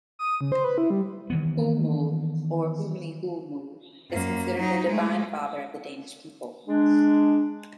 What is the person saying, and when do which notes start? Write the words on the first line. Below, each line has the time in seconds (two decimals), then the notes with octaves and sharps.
"Hulmul" or Humli-Hulmul, is considered the divine father of the Danish people.
0.19 D#6
0.41 C#3
0.52 C5
0.64 B4
0.78 E4
0.90 G3
1.30 D#3 E3 B3
4.10 F#2 A#3
4.56 F#3 D#4
4.87 G#3 A3
6.67 G#3 D4